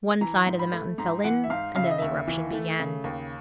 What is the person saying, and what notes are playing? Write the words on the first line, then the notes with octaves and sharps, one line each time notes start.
One side of the mountain fell in, and then the eruption began.
E3 A#5
G#2
B5
A3
G#2 A#5
E3 F#5
E5
G#2 F5
C#3 F5
E5
D#5
D#2 E5
E3
A3
C#3
D#2